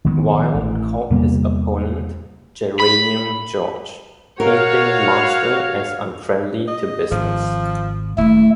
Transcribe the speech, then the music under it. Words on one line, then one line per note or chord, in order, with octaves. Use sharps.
Wilde called his opponent "Geranium George", painting Marston as unfriendly to business.
A#1 D#3 G#3 B3
A1 E3
E2 C3 G3 A#3
B5
F#4 A#4 C#5 F5
D#5
G#1 F3
D#1 A3 E4